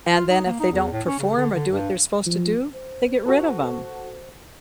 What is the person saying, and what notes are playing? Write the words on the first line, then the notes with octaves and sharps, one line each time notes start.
and then if they don't perform or do what they're supposed to do, they get rid of 'em,
F4
D#4
A#3
D#4
E2
A2
C#4
C#3
D3
D3
G2
F3
C5
F#4 A4